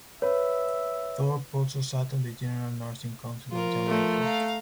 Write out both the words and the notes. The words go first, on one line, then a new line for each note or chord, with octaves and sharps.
Thorpe also sat on the General Nursing Council of Jamaica.
B4 C#5 E5
F3 F4 A#4
A3
F5 A#5